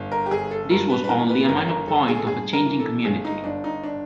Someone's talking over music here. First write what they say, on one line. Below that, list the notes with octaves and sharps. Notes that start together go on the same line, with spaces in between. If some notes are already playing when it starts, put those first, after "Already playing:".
This was only a minor point of a changing community.
Already playing: G1
A#4
G4
G1 G#4
A4
G2 A#4
B4
B4
E3 A#4
B4
G1 A#4
A#4
G1 A4
G#4
A4
G2 G#4
A#4
E3
A4
G1 G#4
D#4
G1 D4
D#4
D4